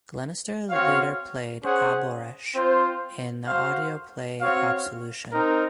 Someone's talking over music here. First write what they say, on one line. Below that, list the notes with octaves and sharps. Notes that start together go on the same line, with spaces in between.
Glenister later played Aboresh in the audio play "Absolution".
C4 F#4 C#5 F5
C#4 G#4 C5 F#5
C4 F4 C5
F#4 C5 F5
C4 F#4 C#5 F5
C4 D#4 A#4